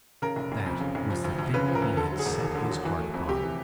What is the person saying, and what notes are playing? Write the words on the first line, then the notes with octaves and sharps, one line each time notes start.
That was the thing he had set his heart upon.
C#3 A#4
F1
F1
F2
C#3
F1
F3
D2
D2
C#3 B4
F3
A#4
D2
D3 A4
F#3
G#4
E1
D#2
D3
F#3
E3
A3
F2
C3 G4
E3